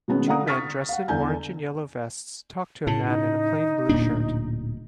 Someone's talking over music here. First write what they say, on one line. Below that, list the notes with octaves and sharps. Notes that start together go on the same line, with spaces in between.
Two men dressed in orange and yellow vests talk to a man in a plain blue shirt.
B2 D#3 G#3 B3 C#4
D3 F5 F#5 A#5 D#6
C#6 D#6 F6 A6 B6
F5 F#5
E2 D3 G#5 G6
A2 C#3 A5
D#4
D1 A#2 D4